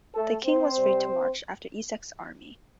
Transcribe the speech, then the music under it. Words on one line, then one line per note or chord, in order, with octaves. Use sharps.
The King was free to march after Essex's army.
A3 A4
C4 C5
C3 G3